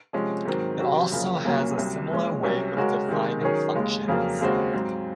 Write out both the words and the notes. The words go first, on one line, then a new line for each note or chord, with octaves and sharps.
It also has a similar way of defining functions.
C3 F3 G#3 C#4
G#2 D#3 F#3 C4
C3 F#3 C#4 F#4
F#2 C#3 F3 A#3
C2 A#2 F#3 A#3 C#4
C2 C3 F#3
A#2 F3 G#3 C#4
C2 C3 F#3 C#4
C#3 G#3 C#4 F#4 A#4
C3 D#3 G#3
D#3 F#3 C#4 G#4 C#5
D#2 C#3 G#3
F2 C#3 F#3 A#3
D#2 C#3 G#3 C4 F#4
G#2 F#3 C4